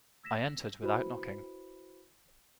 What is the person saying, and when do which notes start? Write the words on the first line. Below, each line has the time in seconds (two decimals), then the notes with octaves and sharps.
I entered without knocking.
0.24 E6 G#6 A#6 B6 E7
0.82 E4 F#4 B4 C5 E5 B5